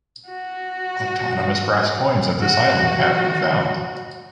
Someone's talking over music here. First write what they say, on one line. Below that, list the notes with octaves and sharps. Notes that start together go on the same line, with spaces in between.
Autonomous brass coins of this island have been found.
F#4
F#4